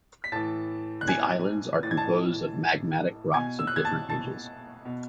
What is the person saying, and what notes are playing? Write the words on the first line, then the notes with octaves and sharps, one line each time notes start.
The islands are composed of magmatic rocks of different ages.
B6
A2 E3 A5 A6
F#6
G#5 G#6
A2 E3 A6
G#6
A5 A6
B2 G#5 G#6
E6
F#6
G#6
A5 A6
A5 A6
B2